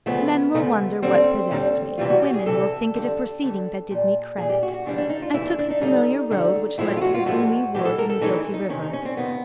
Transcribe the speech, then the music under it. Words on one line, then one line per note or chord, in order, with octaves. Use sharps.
Men will wonder what possessed me--women will think it a proceeding that did me credit--I took the familiar road which led to the gloomy wood and the guilty river.
D2 C#3 F3 A3 B3
D2 C#3 F3 A3
D#2 D3 G3 C4
D#2 D3 G3
D2 C3 E3 G3 F4
F#4
G4
G#4
D2 C3 E3 G3 A4
F2 D3 G3
F2 D3 G3
A#2 G3
A#2 G3 G#4
G4
F#4
F#4
F2 C#3 E3 G3 D4
D4
D#4
F4
F2 C#3 E3 G3 E4
D4
D4
D#4
D#2 D3 G3 D#4
D#2 D3 G3
A2 F3 G#3 E4
G4
F4
F#4
F4
A2 F3 G#3 F#4
A2 E3 G#3 G4
A4
A#4
A4
A2 E3 G#3 D#4
D#4
F2 C3 D#3 C#4
D#4
C#4
C4
F2 C3 D#3 B3